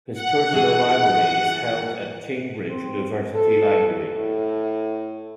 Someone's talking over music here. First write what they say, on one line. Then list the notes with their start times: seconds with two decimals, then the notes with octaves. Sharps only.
His personal library is held at Cambridge University Library.
0.14 F#5
0.52 E3 F#4 G#4
2.69 C4
3.35 A4
4.16 A2